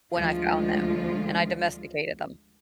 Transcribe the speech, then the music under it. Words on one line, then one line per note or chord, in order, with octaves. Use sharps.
when I found them and I domesticated them.
D2 F3 G#3 F4